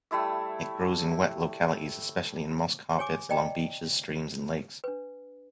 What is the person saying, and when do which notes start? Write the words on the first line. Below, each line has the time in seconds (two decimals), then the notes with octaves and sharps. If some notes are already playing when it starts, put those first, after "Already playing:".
It grows in wet localities, especially in moss carpets along beaches, streams and lakes.
0.11 G3 A3 E4 E6
2.98 G4 C#5 G#5 D6
3.29 D5 D#5 G5 A5 A#5
4.84 D4 B4